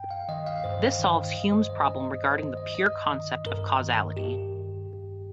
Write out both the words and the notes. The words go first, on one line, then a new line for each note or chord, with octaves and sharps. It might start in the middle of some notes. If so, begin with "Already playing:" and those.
This solves Hume's problem regarding the pure concept of causality.
Already playing: G2 G5
F5
D#3 D#5
F5
G2 C5
D#3
G2 D#5
C5
D#3 D#5
D#5
G2 D#5
C5
D#3 D#5
D#5
G2 D#5
D#3
G2 A#4
D#3
G2 G4
D#3
G2